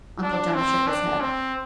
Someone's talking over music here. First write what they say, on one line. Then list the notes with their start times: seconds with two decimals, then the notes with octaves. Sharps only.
Uncle John shook his head.
0.22 D4
0.54 C4
0.87 D4
1.20 C4